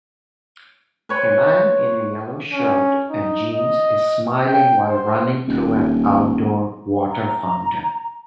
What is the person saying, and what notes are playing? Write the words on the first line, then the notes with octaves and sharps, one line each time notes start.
A man in a yellow shirt and jeans is smiling while running through an outdoor water fountain.
B4 C#5 C6
C#4
D#4
D#5
G5
C5
D#1
A#5